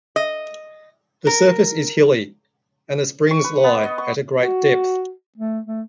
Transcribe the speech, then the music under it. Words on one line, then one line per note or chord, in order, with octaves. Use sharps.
The surface is hilly, and the springs lie at a great depth.
D#5
A#4
C#6
B4
B3
D#5
C#6
F#4
A3
A3